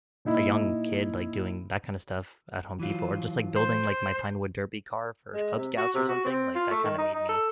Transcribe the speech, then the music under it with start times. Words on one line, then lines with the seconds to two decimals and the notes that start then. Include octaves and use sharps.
a young kid, like, doing that kinda stuff at Home Depot or just, like, building, like, my pinewood derby car for Cub Scouts or something, like, that kinda made me
0.25 A#2 D#4 E4
2.80 E3 F#3 F4
3.56 C5
5.34 G#3
5.57 C3
5.77 F#4
5.94 C3
6.09 F#4
6.25 C4
6.55 F4
6.71 A3
6.84 D#3
6.98 D#4
7.15 D#4
7.29 A4